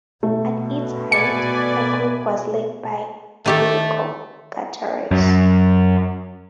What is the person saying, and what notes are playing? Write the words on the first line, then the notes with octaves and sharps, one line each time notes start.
At its height, the group was led by Eurico Guterres.
B2 A3
B4 D5 G#5 C#7
D#3 A3 G4 A4
F#2